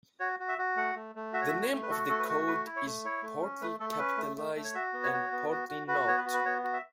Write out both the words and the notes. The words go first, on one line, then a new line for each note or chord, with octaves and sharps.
The name of the "Code" is partly capitalized and partly not.
F#4 C#5
F#4
E5
F#4
A3 F#5
A3
A3
F#4 E5
C#5
E5
A3
C#5
A3
B4
F#4 A4
A3 A4
B4
F#4
A3 B4
E4
C#5
A3
E4 C#5
A3
C#4
A3 B4
A3 A4
A4
C#4 B4
A3
A3
A3
C#5
F#4 E5
B3
C#5
F#4
B3
F#4
F#4
F#4 B4
B3 C#5
B4
F#4
B4
B3 C#5
F#4
E5